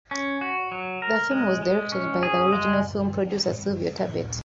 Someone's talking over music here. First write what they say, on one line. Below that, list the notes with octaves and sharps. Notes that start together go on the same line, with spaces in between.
The film was directed by the original film producer Sylvio Tabet.
C#4
F#4
F#3
A#4
G#3
G#3
C#4
G#4
G#3